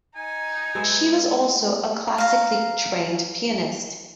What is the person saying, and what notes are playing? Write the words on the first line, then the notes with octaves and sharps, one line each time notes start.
She was also a classically trained pianist.
D#4 G#5
G#3 B3 E5
F5 A#5